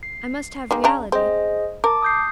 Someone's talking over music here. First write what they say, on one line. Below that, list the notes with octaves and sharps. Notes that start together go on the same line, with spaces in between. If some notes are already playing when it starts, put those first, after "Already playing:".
I must have reality.
C7
D#3 G#3 A#3
C#3 D4 A#5
C4 G#4 C5 D#5
A#4 A5 D6
D#6 G6 C7